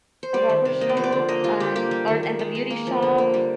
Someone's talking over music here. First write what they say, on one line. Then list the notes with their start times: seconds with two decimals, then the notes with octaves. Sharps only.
The Barbershop and or, and The Beauty Shop,
0.23 C5
0.34 G3 D5
0.49 D#3
0.65 C3
0.81 A#3 D#5
0.89 D5
0.97 F3 C5
1.04 D5
1.12 D3
1.28 A#3 D#5
1.44 G3 F4
1.60 D3 G4
1.76 A#3 G4
1.91 G3
2.08 D#3
2.23 D#3
2.39 G#3
2.55 G#3
2.70 A#3
2.87 F3
3.02 D3
3.18 A#3
3.34 G3